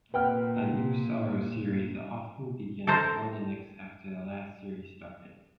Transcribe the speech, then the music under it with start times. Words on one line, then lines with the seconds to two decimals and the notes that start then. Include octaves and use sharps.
A new saros series often begins one inex after the last series started.
0.14 A#2 B4 F#5 G5 F6
2.87 A4 A#4 C5 A#5